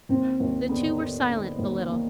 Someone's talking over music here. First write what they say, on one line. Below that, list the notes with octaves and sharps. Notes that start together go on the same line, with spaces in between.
The two were silent a little.
D#2 C4
D#2
D3 B3
D3
D3
D#2
A#3